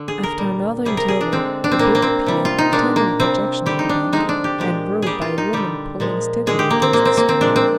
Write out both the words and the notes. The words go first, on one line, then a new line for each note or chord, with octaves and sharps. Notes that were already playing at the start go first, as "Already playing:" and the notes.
After another interval a boat appeared, turning a projection in the bank, and rowed by a woman pulling steadily against the stream.
Already playing: D3
G#4
A#4
A#2 G3
C3 G3 G#4
A#4
G#4
D4
D3 G#3 C4
D4
C4
A#2 G3 A#3
A#3
C4
C3 G3
F4
D#4
A#2 G#3 D4
A#3
C3 G3 C4
D3 G3 G4
D#4
D4
D3 F3 G#3 D#4
D4
G4
A#2 F3 G#3 G4
A#2 G3 G4 G#4
F4
D#4
D3 G3 G4
A#2 F3 G#3
D3 G#3 G#4
G4
A#3
C4
A#2 G#3 A#3
C4
A#3
C4
A#2 F3 G#3 D4
C4